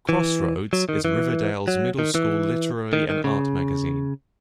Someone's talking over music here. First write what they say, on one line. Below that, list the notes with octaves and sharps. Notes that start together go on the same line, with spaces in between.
"Crossroads" is Riverdale's Middle School Literary and Art Magazine.
E3
F#3
D#3
E3
F#3
D#3
E3
D#3
D#3
C#3